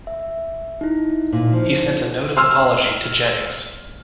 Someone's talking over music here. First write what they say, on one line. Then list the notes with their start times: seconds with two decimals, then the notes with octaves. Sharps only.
He sent a note of apology to Jennings.
0.07 E5
0.81 D#4 E4
1.32 A#2
1.53 F3
2.37 C6 E6 F6